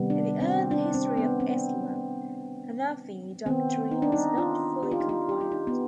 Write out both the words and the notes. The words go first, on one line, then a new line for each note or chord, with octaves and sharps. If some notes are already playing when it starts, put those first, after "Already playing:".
In the early history of Islam, Hanafi doctrine was not fully compiled.
Already playing: C3 D#3 G3 B3
D4
C4
D4
C4
B3
C4
D#3 B3 C4
D#4
D4
D#4
F4
G4
F4
D#4
F4
G4
F4
D#4
B3